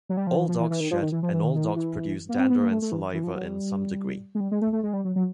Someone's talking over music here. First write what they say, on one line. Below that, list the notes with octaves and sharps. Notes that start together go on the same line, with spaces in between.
All dogs shed, and all dogs produce dander and saliva in some degree.
F#3
G3
F3
E3
F3
E3
E3
D#3
F3
D#3
E3
F3
E3
D#3
D#3
E3
E3
A#3
B3
C4
B3
A#3
A3
A3
E3
E3
F3
F#3
G3
G#3
G3
G#3
A3
A3
G#3
G3
F#3
F#3